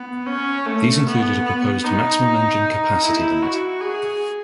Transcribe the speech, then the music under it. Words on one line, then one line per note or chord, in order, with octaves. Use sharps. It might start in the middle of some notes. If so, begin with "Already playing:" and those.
These included a proposed maximum engine capacity limit.
Already playing: B3
C#4
A3
B3
B3
D#4
E4
F#4
G#4